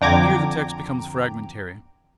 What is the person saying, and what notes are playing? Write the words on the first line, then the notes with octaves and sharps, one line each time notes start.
Here the text becomes fragmentary.
F2 D3 G5 A#5 D6 G#6